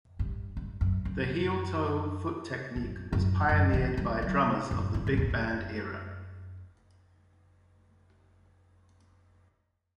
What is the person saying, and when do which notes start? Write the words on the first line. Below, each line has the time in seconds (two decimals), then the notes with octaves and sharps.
The heel-toe foot technique was pioneered by drummers of the big band era.
0.19 G2
0.57 G2
0.81 F#2
1.05 F#2
2.76 F#2
3.13 F#2
3.49 F#2
3.73 E3
3.97 G3
4.22 F#3
4.71 F#2
4.94 G2
5.07 F#2
5.17 E2
5.30 F#2